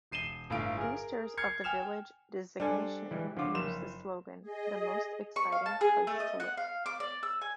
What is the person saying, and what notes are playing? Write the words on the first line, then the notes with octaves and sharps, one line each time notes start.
Boosters of the village designation use the slogan The most exciting place to live.
E1 C7 D#7 E7 G7
G1 A2 F4 F5 D7
G#4 A#4
F6 G#6 C7 C#7
G5 G#5 F6 E7 F7
G3 D4 A4 C5 G#5
E3 G3 G#3
D3 F3 F4 C#5 D6
F#1 E7
G#4 D#5
C#6
F5
A5
G#4
A3
D#5
F#5
F5
D6
D5
E6
G#5